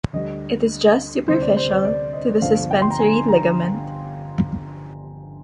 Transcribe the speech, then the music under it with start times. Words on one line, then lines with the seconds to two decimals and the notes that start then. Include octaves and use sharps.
It is just superficial to the suspensory ligament.
0.13 D2 D3 G3 D#5
1.28 D2 C3 G3 C5
1.42 D5
1.57 C5
1.71 D5
1.85 D5
2.13 D#5
2.41 G1 G2 F3 F5
2.71 G5
2.82 C6
2.91 A#5
2.99 G#5
3.28 A#5